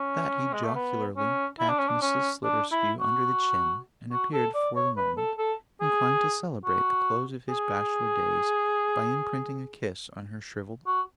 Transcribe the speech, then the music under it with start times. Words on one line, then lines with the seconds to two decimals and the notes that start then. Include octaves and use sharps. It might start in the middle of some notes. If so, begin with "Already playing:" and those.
With that, he jocularly tapped Mrs Sliderskew under the chin, and appeared, for the moment, inclined to celebrate the close of his bachelor days by imprinting a kiss on her shrivelled lips.
Already playing: C#4
0.53 G#3
0.64 A3
0.75 B3
1.17 C#4
1.59 E4
1.68 D4
1.78 C#4
1.88 D4
2.01 C#4
2.44 D4
2.72 E4
3.00 F#4
4.12 F#4
4.33 A4
4.54 D5
4.76 C#5
4.97 B4
5.17 A4
5.38 A4
5.81 G#4
6.65 F#4
7.49 G#4
10.86 F#4